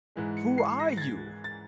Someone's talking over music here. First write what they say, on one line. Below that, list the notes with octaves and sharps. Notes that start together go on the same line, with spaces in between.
"Who are you?"
G#2 E3 G#3
C#7
C7
A#6
A6
G#6
A6